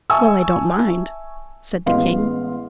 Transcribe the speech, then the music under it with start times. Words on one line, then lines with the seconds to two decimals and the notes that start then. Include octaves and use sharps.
"Well, I don't mind," said the king.
0.10 E5 G#5 A5 C#6 E6
1.86 A1 G#3 B3 D#5 F5 C6